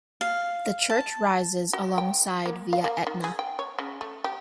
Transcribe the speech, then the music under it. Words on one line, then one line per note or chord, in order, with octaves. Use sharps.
The church rises alongside via Etna.
F5
A5
F#4
G5
A#3
F5
A#3
D#3
G#4
G5
C#5
C#3
A3
G4